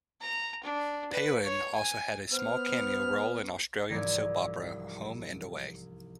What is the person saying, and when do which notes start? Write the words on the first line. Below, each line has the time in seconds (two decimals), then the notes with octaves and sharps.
Palin also had a small cameo role in Australian soap opera "Home and Away".
0.21 A#5
0.63 D4
1.12 B4
1.44 C#5
1.75 G#5
2.32 B3 C5 F6
3.89 C2 G#2 E3 F3 D5 G#6